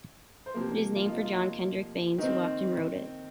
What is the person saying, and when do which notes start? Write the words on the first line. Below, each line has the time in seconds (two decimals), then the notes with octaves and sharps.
It is named for John Kendrick Bangs who often wrote it.
0.46 C5
0.54 C3 F3 A#3 A#4
0.96 F4
1.08 D#4
1.20 F4
2.18 D#3 C4 D#4